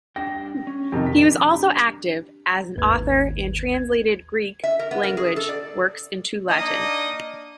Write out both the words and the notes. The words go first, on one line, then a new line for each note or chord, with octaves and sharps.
He was also active as an author, and translated Greek language works into Latin.
D4 G4 G5 A#6
C#4
F2 C3 D#3 G4 A#4
B6
D4 G4
G#1 D#2 B4 G#6
G#6
E5
A#4
B3
A#4
G#4
A4
D5
A#3 D4 D#4 D5 D#5